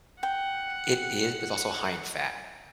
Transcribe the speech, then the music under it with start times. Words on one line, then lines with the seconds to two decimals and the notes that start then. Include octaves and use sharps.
It is, but it’s also high in fat.
0.23 F#5 G5